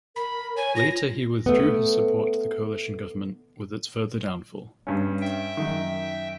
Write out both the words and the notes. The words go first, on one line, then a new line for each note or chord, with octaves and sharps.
Later he withdrew his support to the coalition government with its further downfall.
A#4 B5
C#5 G#5
F4 A#6
A3 B3
G2 C#4
E5 G5
F#2 D#3